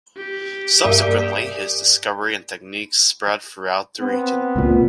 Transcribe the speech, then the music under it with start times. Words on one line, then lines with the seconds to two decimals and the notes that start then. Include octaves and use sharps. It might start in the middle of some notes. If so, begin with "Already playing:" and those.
Subsequently, his discovery and techniques spread throughout the region.
0.17 G4
0.83 G2 A#3 D5 E5 G#5 D#6
4.00 B3 C4
4.56 C#2 A#2